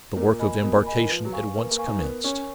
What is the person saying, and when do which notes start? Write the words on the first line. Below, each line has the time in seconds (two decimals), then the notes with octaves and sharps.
The work of embarkation at once commenced.
0.17 A#2 A#4
0.39 D#5 G#5 B5
0.63 B2 A#4
0.75 A#2
0.86 D#5 G#5 B5
0.98 D#3
1.09 F3 B4
1.25 F#3
1.33 F5 G#5 C#6
1.56 A#3 B4
1.71 A#3
1.78 F5 G#5 C#6
1.87 D#4
2.01 B3 A#4
2.24 C#4 C#5 G#5 C#6